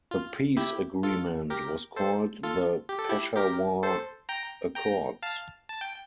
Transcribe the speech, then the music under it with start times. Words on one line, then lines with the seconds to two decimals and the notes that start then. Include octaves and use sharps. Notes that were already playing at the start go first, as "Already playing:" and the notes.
The peace agreement was called the Peshawar Accords.
0.11 F4
0.57 E4 G4
1.03 F4 A4
1.50 G4 A#4
1.96 A4 C5
2.43 F4 A4
2.89 G4
2.99 A4
3.09 E4 G4
3.36 G4 A#4
3.83 A4 C5
4.29 G5 A#5
4.75 G5 A#5
5.22 F5 A5
5.69 A5
5.81 G5